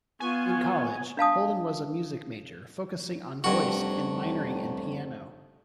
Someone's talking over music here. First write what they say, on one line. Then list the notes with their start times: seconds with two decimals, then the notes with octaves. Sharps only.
In college, Holden was a music major, focusing on voice and minoring in piano.
0.20 B3 F4 G#5 C#6
1.17 D4 F5 A5 D#6
3.44 F1 G2 F#4